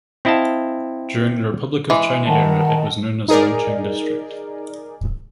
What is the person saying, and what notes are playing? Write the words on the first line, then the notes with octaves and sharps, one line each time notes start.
During the Republic of China era it was known as Longcheng District.
C4 E4 D#5 F5 A5
E3 G#3
D#3 D#5 F#5 A5
D#4 G#4 A#4 D5